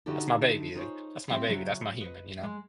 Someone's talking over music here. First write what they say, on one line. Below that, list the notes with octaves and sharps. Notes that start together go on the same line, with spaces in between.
that's my baby, that's my baby, that's my human, you know.
D3 D#4 E4 F#4 G4 A4
D#4 F4 G#4 C5 C#5
C4 E4 G4 E5
C#3 F3 F#3 E4 C5 E5
B4 D#5
G#3 D#5